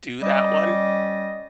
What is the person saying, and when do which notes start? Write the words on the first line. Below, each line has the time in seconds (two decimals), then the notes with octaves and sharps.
do that one,
0.22 G3 C#4 D#5